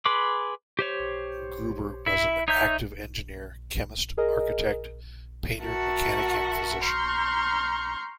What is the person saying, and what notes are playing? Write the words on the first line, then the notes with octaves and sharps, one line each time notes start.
Gruber was an active engineer, chemist, architect, painter, mechanic and physician.
G#4 B4 B5 C6 D6
G4 C5 C#5
E4 E5
D#4 C#5 E5 A#5 G6
G#4 A#4 D#5
F#4 A#4 E5 F#5 A5 C#6
A#5 C6 C#6 F6 G6